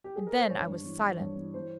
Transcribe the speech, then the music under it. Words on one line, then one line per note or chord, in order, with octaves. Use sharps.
And then I was silent.
G4
G#4
A#4
C5
G2 C#5
G2
E3
E3
G2
E3
E3 C5